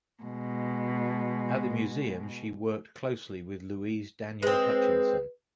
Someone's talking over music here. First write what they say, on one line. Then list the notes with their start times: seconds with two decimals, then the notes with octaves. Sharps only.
At the museum she worked closely with Louise Daniel Hutchinson.
0.23 B2 G#3
4.42 G#3 C4 B4